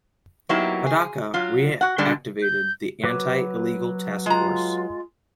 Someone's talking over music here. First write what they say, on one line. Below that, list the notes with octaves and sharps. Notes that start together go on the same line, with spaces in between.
Padaca reactivated the anti-illegal task force.
F#3 A#3 B3 D#4 E4 G4
G#4
F#3 F4
F#4 F#5
D3 G3 G#3 D4 D5
G6
F#3 B4 D6
G#3 F4 A#5